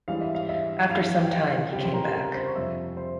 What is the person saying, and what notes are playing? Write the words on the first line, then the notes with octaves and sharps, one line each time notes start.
After some time he came back.
G#2 E3 G3 F5
E5
F5
E5
G2 E3 G3 F5
G5
F5
C#2 C3 G3 G4 G5
C6
A#4 A#5
C6
A#4 A#5
A#5
C5 C6
C#6
F2 C3 G3 E5 E6
C5 C6